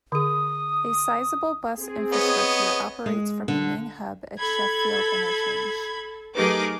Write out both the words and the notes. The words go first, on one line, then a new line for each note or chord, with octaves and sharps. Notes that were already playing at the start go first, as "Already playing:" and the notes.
A sizeable bus infrastructure operates from a main hub at Sheffield Interchange.
D3 G#4 D#6
C4 G#4
B3 C#5 D#5
G#3
D3
A4 B5 G#6
F#3 A3 D#4 G4 G#4 A#4 B4 D6